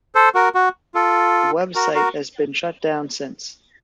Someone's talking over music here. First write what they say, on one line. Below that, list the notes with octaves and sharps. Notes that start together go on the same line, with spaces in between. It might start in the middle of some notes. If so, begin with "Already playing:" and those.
The website has been shutdown since.
A4 C5
F#4 A#4
F#4
F4 A4
F#4 A#4
F#4 A#4